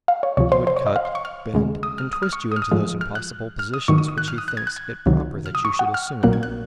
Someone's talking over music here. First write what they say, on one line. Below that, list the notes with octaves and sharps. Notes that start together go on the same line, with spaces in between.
He would cut, bend, and twist you into those impossible positions which he thinks it proper that you should assume.
F5
C#5
C#2 C3 F3 C#5
C5
C5
C#5
D#5
F5
C6
C#6
F6
D#2 C#3 G#3
D#6
F6
D#6
F6
C#6
D#6
F6
D#6
G#2 F3 G#3
F6
F#6
F6
D#6
G#2 D#3 F#3 C#6
D#6
D#6
F#6
F6
D#6
F#6
G#6
F#6
G#6
C#2 C3 D#3 F#3
F6
D#6
C#6
F#5
F6
A#1 A#2 F#3 A#3 F#6
G#6
F#6